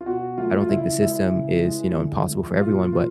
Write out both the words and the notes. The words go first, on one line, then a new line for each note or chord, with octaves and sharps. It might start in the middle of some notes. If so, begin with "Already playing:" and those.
I don't think the system is, you know, impossible for everyone but,
F4
B2 F#4
F#3 A3 F4
F4
C#3 E4
E3 G#3 E4
C#3
E3 G#3
D3
F3 G#3
A#2 F4
F3 A#3 F4